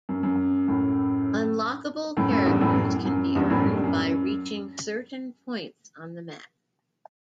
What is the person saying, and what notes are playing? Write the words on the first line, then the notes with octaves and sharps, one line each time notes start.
Unlockable characters can be earned by reaching certain points on the map.
F#2
F#2
F#2 A2
F#2 A2
F#2 A2
E2 G2
F#2 A2
F#2
F#2
E2 G2
F#2 A2
F#2
G2
F#2